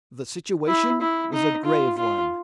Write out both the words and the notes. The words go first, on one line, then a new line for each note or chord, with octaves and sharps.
The situation was a grave one.
E4
E4
D#4
F4
F4